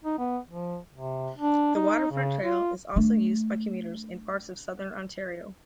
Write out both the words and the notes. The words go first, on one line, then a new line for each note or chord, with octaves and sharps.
The Waterfront Trail is also used by commuters in parts of Southern Ontario.
D#4
B3
F3
C3
D4
D#4
C#3
F4
A3 D4